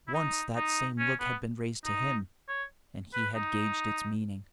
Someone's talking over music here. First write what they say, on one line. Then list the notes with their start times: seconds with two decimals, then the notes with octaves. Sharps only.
Once that same look had been raised to him, and he had gauged its meaning.
0.08 E4
0.14 D#4
0.56 D#4
0.99 C#4
1.20 B3
1.85 D#4
2.48 C#5
3.13 B4
3.35 D#4